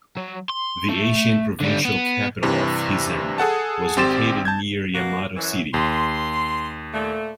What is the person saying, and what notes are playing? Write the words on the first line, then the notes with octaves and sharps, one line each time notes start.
The ancient provincial capital of Hizen was located near Yamato City.
F#3
C6
A3
D3 G3
B3
G2 C3 E3
G#4 A4 F#5 A5
G#1 C4 G4 C6 A6 E7
A5 G6 G#6
B2 A#3 F#4
F#2 E3
D#2 C6
A#2 A3